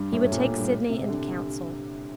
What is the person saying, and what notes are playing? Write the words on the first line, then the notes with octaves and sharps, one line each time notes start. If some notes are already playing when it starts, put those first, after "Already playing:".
He would take Sidney into council.
Already playing: G2
A2
A2
A#2
A2
G2
C3
D3